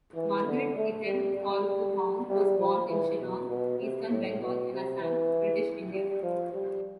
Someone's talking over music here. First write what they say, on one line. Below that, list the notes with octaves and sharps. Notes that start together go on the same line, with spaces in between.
Margaret Ithell Colquhoun was born in Shillong, Eastern Bengal and Assam, British India.
E3
D3
A3
G3
G3
G3
F3
E3
B2
B2
C3
A2
B2
C3
E3
G3
F3
G3